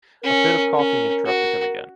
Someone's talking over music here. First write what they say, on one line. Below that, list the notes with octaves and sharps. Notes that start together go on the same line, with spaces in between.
A fit of coughing interrupted him again.
C#4 A#4
C#4
F#4 A#4